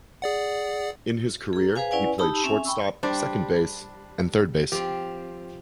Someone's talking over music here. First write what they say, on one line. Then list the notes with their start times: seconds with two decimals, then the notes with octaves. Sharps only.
In his career, he played shortstop, second base, and third base.
0.22 G#4 D5 F#5
1.53 G#4 A#5
1.76 G#4 B4 C5 F5 G#5
1.91 C#4 E4 B4 D5 F#5 G#5
2.18 D#4 G4 A5 B5 D#6 E6
2.44 C4 C#4 E5 G#5
2.65 G5 B5 C#6 E6
3.03 G3 D4 C5
4.72 F3 C4 G4